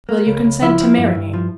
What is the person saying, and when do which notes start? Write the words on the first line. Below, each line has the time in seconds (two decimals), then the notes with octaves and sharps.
"Will you consent to marry me?"
0.09 A#3
0.27 C#2
0.44 C#2
0.62 F3 E4
0.80 F3
0.98 G2
1.15 G2
1.34 F3